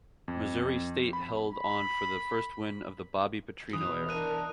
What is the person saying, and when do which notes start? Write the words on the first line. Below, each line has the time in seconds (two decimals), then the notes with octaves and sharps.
Missouri State held on for the first win of the Bobby Petrino era.
0.28 F2
1.13 B5
1.53 B5
3.73 B2 E3 D#6
4.09 D4 A#4 F#6 D#7